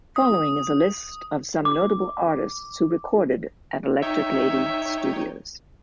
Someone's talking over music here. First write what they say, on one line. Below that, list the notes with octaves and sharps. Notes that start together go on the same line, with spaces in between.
Following is a list of some notable artists who recorded at Electric Lady Studios.
D#6
D6
D#4 C#5 E5 G5